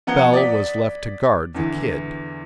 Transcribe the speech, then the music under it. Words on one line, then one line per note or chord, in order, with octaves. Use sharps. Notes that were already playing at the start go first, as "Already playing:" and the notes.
Bell was left to guard the "Kid."
F3 B3 F#5 A#5 G#6 G7
D5 D#6 B6
E2 D3 E3